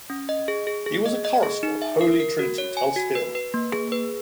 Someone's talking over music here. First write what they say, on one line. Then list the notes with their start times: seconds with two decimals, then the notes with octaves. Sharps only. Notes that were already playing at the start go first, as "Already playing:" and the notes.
He was a chorister of Holy Trinity, Tulse Hill.
0.10 C#4
0.29 D#5
0.48 G#4
0.67 G#4
0.86 G#4
1.06 D#5
1.25 D#5
1.43 G#4
1.63 D#4
1.82 E5
2.01 A#4
2.20 A#4
2.39 F#4
2.58 C#5
2.77 G#5
2.96 F#4
3.15 B4
3.35 B4
3.54 A#3
3.72 G#4
3.92 B4